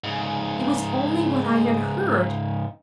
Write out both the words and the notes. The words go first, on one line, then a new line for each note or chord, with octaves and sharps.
It was only what I had heard.
G#2 C#3